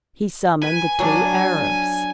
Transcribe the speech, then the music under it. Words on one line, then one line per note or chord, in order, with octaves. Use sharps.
He summoned the two Arabs.
B4 G#5
F#3 D4